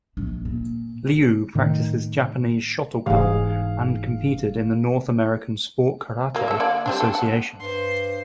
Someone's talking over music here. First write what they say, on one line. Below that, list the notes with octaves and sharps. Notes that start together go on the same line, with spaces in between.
Liu practices Japanese Shotokan and competed in the North American Sport Karate Association.
A#1 D4
A#2
A2 D#3
F1 G#2 E3 G#4 F5
F#3 A#3
A4 E5
D3 A#3 D5
G3 C4 D4
D4 A4
F#5
G2 C5 C6